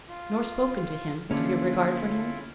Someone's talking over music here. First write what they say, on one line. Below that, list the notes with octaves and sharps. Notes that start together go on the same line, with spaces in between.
"Nor spoken to him--of your regard for him?"
F4
D3 A#3 C#4 E4 F4 G#4 D5 C#7